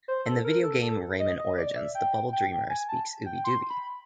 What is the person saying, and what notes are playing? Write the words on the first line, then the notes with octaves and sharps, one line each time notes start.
In the video game "Rayman Origins", the Bubble Dreamer speaks Ubbi Dubbi.
C5
A4
A#4
A4
A4
D#5
D#5
D5
E5
G5
G5
G#5
A5
G5
C6
B5